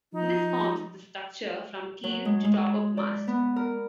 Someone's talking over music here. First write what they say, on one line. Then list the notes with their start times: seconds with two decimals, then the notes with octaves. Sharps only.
This forms the structure from keel to top of mast.
0.13 F3 D#4
2.04 F#3
2.25 G#3
2.45 G#3
2.97 D5
3.27 B3
3.56 A#4